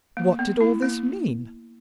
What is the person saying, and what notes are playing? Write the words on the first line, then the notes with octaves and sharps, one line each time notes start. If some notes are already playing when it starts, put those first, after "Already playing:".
What did all this mean?
A#3
B3
E4
A#3